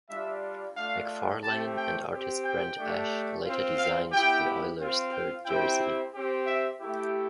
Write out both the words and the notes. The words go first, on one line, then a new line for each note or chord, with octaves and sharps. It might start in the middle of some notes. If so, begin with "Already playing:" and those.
McFarlane and artist Brent Ashe later designed the Oilers' third jersey.
G3 D4 F4 E5
A3 D4 F4 F5
A3 C4 G4 A5
G5
C4 G4
G5
A3 D4 G4
C4 F4
F5
B3 E4 G4 G5
C4 F4
G5
C4 E4 G4 G5
C4 G4
E5
A3 E4 G4